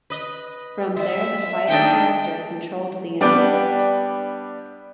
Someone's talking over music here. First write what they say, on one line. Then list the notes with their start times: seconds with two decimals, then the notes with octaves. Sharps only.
From there the fighter director controlled the intercept.
0.10 B4 D#5
0.96 G3 E5
1.67 D#3 D4 D#4 G5
3.21 G3 B3 D4 B4 G5 D6